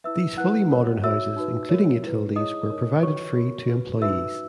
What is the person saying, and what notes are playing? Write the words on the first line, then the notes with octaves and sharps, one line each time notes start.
These fully modern houses, including utilities, were provided free to employees.
E4 B4 E5 E6
E4 B4 F#5 F#6
F#4 A#4 C#5
F#4 C#5 E5 E6
D#4 F#4 B4
F#4 A#4 C#5
E4 B4
E4 G#4 C#5 D#5 D#6
D#4 A#4 C#5
F#4 B4 C#5 C#6
F#4 A#4 C#5
F#4 B4
D#4 F#4 B4 E5 E6